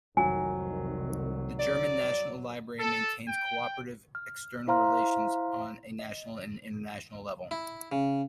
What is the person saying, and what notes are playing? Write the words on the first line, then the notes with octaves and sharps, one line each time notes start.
The German National Library maintains co-operative external relations on a national and international level.
F1 C2 D#3 F#3 G#5
D5
A4
G5
F6
E4 C5 F5 A#5 C6 F6
D#5
E4
C#3